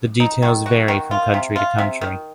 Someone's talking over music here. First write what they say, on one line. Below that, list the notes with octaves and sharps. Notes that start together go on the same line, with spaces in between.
The details vary from country to country.
D#4
D#3
F#4
D#3
F4
C3
F4
C3
D#3